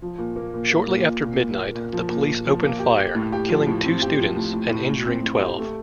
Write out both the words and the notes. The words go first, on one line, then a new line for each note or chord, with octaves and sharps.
Shortly after midnight, the police opened fire, killing two students and injuring twelve.
F3
A#2
A#3
A#2
A#3
A#2
A#2
A#2
A#2
A#2
A#2
F3
A#2
A#2
F3
A#3
G4
G4
A2
G4
F3
A2
C4
G4
F3
A2
A2
A2
A2
C4
A2
G4
A3